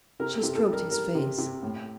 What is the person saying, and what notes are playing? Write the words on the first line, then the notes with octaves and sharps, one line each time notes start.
She stroked his face.
C3 A#4
A4
C3
A4
G3
A#4
G3 A#4
C3
C3
A2